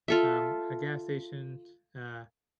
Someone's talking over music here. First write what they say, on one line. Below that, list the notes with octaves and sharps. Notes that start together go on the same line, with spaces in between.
um, a gas station, uh,
F4 A4 E5